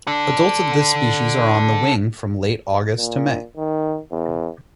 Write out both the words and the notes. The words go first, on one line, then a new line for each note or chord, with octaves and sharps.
Adults of this species are on the wing from late August to May.
A4 D5
A#2
D#3
E2